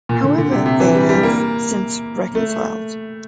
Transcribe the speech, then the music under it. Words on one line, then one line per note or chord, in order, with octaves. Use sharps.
However, they have since reconciled.
A#2
D3
D3
C3
C3
E3
G3
G3
A#3
A3